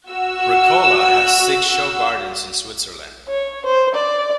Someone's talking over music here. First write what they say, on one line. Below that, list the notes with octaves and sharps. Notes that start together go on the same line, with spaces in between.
Ricola has six show gardens in Switzerland.
F#4 E6
C#5
C5
D5